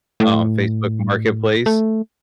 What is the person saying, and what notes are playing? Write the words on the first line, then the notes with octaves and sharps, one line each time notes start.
uh, on Facebook Marketplace,
A2
A3